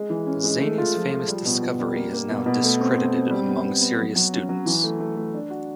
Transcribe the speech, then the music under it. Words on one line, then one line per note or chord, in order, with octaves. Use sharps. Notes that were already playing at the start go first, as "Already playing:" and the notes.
Zani's famous discovery is now discredited among serious students.
Already playing: G#3
E3
C#4
G#3
A3
F4
F3
F3
G3
B2
B2
G3
A#3
A#3
B2
B2
A3
C4
A3
C4
G3
B3
B3
B3
F#3
F#3
C#4
F#3
E3
A3
A3
A3
D4
F#4